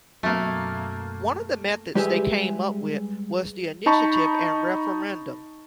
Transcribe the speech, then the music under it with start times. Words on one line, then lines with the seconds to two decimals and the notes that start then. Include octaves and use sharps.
One of the methods they came up with was the initiative and referendum.
0.23 F#2 B2 A3 A#3
1.95 G3 G#3 G4 G#4 B4 E5
3.86 D#4 A5 B5 C#6